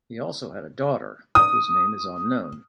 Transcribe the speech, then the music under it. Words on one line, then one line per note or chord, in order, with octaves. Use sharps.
He also had a daughter, whose name is unknown.
D#6